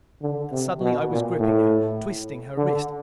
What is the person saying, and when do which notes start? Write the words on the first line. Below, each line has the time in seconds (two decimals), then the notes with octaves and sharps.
And suddenly I was gripping her, twisting her wrist.
0.22 D3
0.52 C3
0.81 B2
1.10 A#2
1.40 A2
2.57 D3